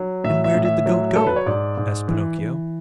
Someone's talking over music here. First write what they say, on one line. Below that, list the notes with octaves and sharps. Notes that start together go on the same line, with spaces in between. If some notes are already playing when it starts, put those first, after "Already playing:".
"And where did the Goat go?" asked Pinocchio.
Already playing: F#3
A2 E5
E5
A2
E5
F#3
F#3 A4
B4
C#5
G#2 D5
G#2
E3
E3